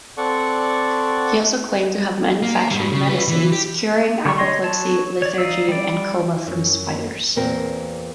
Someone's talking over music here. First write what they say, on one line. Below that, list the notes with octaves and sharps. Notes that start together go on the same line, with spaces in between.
He also claimed to have manufactured medicines curing apoplexy, lethargy and coma from spiders.
C4 A4 D5 F#5 C#6
A#3
G#2 G3
C#3
F4 B4
E3
G4
D3 C#6
C#5 D#5 C6
F#3 C#5 A5
C#5 D5
D#4 D5 F5 E6
G3 D5
F#2
E2 A#2 C4 A#4